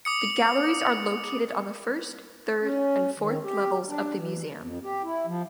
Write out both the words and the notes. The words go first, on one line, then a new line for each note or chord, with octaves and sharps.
The galleries are located on the first, third and fourth levels of the museum.
D6 D#6 C#7
C#4
D#3
G4
D4
E3
F2
G4
E4
F3